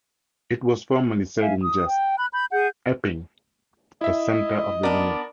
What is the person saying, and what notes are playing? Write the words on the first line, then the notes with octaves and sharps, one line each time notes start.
It was formerly said in jest: Epping -- the center of the universe.
E5 F5 G#5
D#6
G5
B5 F#6
B5 G6
G#4 F#5 G6
E4 D#5 E5
B3 D4 A#4 D5